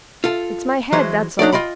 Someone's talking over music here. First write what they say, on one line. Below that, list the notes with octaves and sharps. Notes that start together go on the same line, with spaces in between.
It's my head, that's all.
F4 A4
E3 F#3 G#3 C5
D4 D#4 A4 D5
F4 D#5 G5 B5